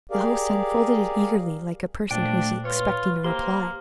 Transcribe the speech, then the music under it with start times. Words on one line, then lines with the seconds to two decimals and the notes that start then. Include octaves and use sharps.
The host unfolded it eagerly, like a person who is expecting a reply.
0.11 G4 G#4 A#4 D5 F5
2.11 A#2 F3 A3 D4 G5
2.65 F4 B4 C#5
3.24 A#3 G4 C5 C6 F6